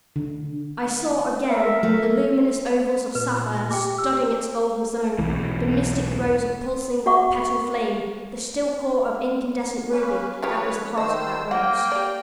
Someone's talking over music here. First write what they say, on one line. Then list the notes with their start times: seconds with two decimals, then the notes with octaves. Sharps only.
I saw again the luminous ovals of sapphire, studding its golden zone, the mystic rose of pulsing, petal flame, the still core of incandescent ruby that was the heart of that rose.
0.16 D3
1.50 A#4 E5
1.83 A3 A4
3.15 A#2 B4
3.71 G4 G5 D6
3.98 E6
5.19 B1 E2 E3
7.06 F#4 E5 F#5 C#6 D6
9.90 A#3 C#4 B4
10.42 C#3 F3 G4 B4 C#5
10.97 D#3 C5 D#5 E6
11.51 A#3 F#5 G5
11.92 G4 D5